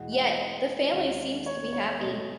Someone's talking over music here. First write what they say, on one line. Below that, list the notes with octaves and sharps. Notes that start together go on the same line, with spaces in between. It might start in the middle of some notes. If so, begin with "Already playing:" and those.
Yet, the family seems to be happy.
Already playing: E2 B2 G#3 B3 F#5
F#5
D#5
D#2 D#3 G#3 C#4
C#5
C#5
B2 A3 C#4 D#5